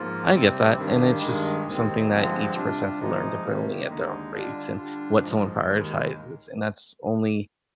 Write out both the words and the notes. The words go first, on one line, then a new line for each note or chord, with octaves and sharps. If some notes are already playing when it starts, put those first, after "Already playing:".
I get that, and it's just something that each person has to learn differently at their own rates and what someone prioritizes, and that's only
Already playing: G#2 F3 A#3 F4
C3 G3 C4
G2 D#3 G3
G2 D#3 G#3
D#2 D#3 G#3 C4
G2 D3 F3 G#3 C4
C3 G3 D4 F4
C3 F3 G#3 D#4
C3 D#3 G3 A#3
D#2 D3 G#3 D#4
D3 G3 D4 F4
D3 G3 D4 F4
G#2 F3 G#3
D#2 D#3 G#3